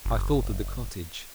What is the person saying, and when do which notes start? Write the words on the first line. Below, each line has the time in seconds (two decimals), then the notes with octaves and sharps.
I thought of the cottage.
0.05 F#1